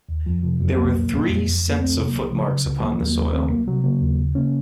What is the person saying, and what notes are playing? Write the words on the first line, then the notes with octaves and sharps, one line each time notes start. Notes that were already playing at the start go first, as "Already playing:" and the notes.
There were three sets of footmarks upon the soil.
D#2
F2 F3
C3 F3
F2 F#3
C2 F#3 A#3
A#2
A#2
F2
F2
F2
A#3
C2 A3 C4
C3
F#3 A#3
C2
C#3 F3 A3
C#3 F#3
C#2
D#3 F#3 A#3
D#2
F#3 A#3
D#2
D#3 A3 C4
C2 F#3 A#3
C3 F#3
C#3 F#3 A#3
D#2
C#3
C#3 A#3 C#4